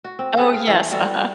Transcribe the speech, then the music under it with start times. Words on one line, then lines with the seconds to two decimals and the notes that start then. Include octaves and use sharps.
Oh, yes, uh-huh.
0.04 F#4
0.19 C4
0.37 C4 G#4 A4 B4
0.54 F5
0.67 E3 A3 A4
0.91 G3 F#4 A4